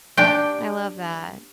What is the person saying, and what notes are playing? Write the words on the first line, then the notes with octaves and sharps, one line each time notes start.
I love that.
D4 G4 G5